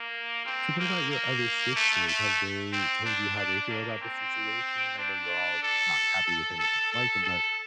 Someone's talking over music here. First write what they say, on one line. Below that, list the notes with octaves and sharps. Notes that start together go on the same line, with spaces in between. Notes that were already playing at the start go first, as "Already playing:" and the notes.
So, what about your other sisters? Have they told you how they feel about the situation? I know you're all not happy with him and don't like him, but
Already playing: A#3
C4
A#3
A#3
A3
A3
C4
D4
D4
A#3
C4
D4
A4
A4
A4
A4
A4